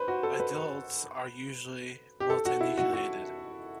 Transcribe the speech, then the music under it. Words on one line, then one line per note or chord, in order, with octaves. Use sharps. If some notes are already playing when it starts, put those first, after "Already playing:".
Adults are usually multinucleated.
Already playing: B4 C5
F#4
A4
B4
G4
A4
F#4
E4
F#4
F#4